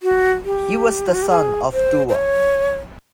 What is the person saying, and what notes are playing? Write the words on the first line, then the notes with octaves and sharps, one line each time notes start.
He was the son of Duwa.
F#4
G4
F4
F#4
G4
G#4
C5
C5
C#5